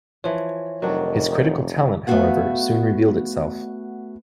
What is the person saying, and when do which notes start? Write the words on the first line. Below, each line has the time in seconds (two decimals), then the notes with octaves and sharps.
His critical talent, however, soon revealed itself.
0.24 E3 F3 C#5
0.82 F1 D#3 F#3 D4
2.07 A3 B3 D4 F#4 F5 F#5